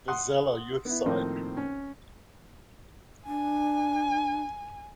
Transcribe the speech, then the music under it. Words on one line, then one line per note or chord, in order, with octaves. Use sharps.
Vizela youth side.
F#5 C6 D#6 F#6
B3 E4
A2 D#3 F3 A#3 C4 D#4
C#4
D4 G#5